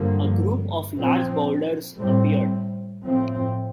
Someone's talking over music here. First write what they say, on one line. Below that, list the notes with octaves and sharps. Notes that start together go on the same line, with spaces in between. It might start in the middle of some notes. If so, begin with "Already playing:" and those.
A group of large boulders appeared.
Already playing: G2 D3 F3 A#3
A#2 F3 C4
A2 G3 C4
A2 F3 C4